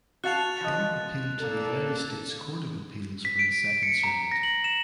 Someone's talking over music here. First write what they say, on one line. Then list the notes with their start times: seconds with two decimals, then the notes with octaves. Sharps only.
Trump appealed to the United States Court of Appeals for the Second Circuit.
0.24 F#4 F5 A5 F#6 A6 F7
0.61 F3 D#5
1.41 A#3 D4 A4
3.25 B6
3.39 D7
3.83 C#7
4.04 A#5
4.32 A#6
4.43 F#7
4.64 E7